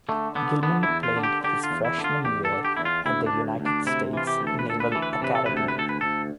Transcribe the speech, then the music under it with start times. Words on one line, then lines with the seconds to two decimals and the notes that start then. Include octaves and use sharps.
Gilman played his freshman year at the United States Naval Academy.
0.09 D3 A3
0.35 D3 B3
0.63 D3 B3
0.83 E4
0.89 E2
1.03 F4
1.17 D3
1.23 G4
1.44 D3 G4
1.63 F4
1.71 E2
1.85 E4
1.98 D3
2.04 F4
2.24 E2 G4
2.45 A4
2.52 D3
2.65 G4
2.77 E2 E4
2.85 F4
3.06 D2 E4
3.26 D4
3.33 D2
3.60 D2
3.66 D4
3.86 C3 E4
4.13 E3 F4
4.27 G4
4.41 D2
4.47 A4
4.59 B4
4.68 D2 A4
4.80 B4
4.92 E3 A4
5.02 B4
5.13 A4
5.22 C3 B4
5.35 A4
5.46 D2 B4
5.57 A4
5.68 B4
5.76 D2 A4
5.89 B4
6.01 D2 A4